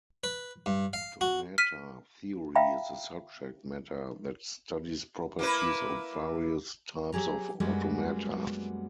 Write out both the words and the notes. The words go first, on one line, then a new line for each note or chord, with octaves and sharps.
Automata theory is a subject matter that studies properties of various types of automata.
B4
G2
F5
F#4
F6 B6 D#7
E5 F5 G5 A#5 B5
A#3 E4 B4
F#3 G4 G#4 A#5
F#2 G3 G#3 A#3 B3 F#4